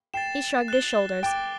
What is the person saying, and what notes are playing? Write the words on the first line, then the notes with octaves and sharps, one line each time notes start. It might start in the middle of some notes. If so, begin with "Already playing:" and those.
He shrugged his shoulders.
G5 A6 C7 E7
F#6 A6 E7 G7
G5 D6 A6 D7